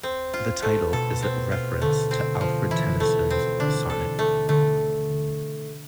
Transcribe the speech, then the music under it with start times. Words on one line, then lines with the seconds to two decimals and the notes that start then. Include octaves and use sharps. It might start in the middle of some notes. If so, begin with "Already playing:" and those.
The title is a reference to Alfred Tennyson's sonnet "".
0.03 C4
0.34 F4
0.62 A3
0.92 B2 A4
1.22 C4
1.52 F4
1.82 D3 A3
2.11 C4
2.41 F3
2.71 E3 E4
3.00 A3
3.30 C4
3.60 D3 D4
3.90 A4
4.19 A3
4.49 D3 A3